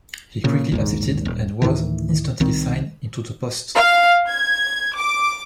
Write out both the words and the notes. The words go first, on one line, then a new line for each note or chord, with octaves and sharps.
He quickly accepted, and was instantly signed into the post.
A#2 C#3
A#1 D#2 G#2
D#1
D2 A2 D#3 E3
C2 D#3 C4
F5
G#6
D6